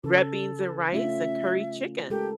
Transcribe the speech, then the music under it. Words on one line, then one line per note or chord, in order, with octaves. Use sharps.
red beans and rice and curry chicken,
C#3 A4
A3 C#4 F4 E5
G#3 G4 A4 A#4